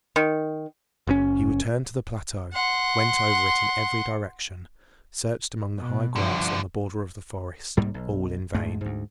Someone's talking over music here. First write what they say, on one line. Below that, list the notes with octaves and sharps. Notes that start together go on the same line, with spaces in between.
He returned to the plateau, went over it in every direction, searched among the high grass on the border of the forest, all in vain.
D#3
F#1 A2 C#4
F#5 C6
B2
C2 G2 D3 F3
C2 G#2 G3 A#3
B1
D2 G#2 G#3 A3
D2 G#2